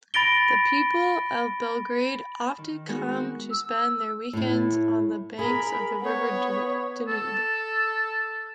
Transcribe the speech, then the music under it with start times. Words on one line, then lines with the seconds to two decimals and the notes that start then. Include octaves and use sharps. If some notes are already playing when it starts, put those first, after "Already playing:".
The people of Belgrade often come to spend their weekends on the banks of the river Danube.
0.14 B5 A6 A#6 D7 G7
2.58 D#3
2.88 G#3 B3 D#4 F#4 A#4
3.51 E6
4.33 A2 E4
5.39 G#4 A#4 B5
6.02 B3 C#5
7.08 A4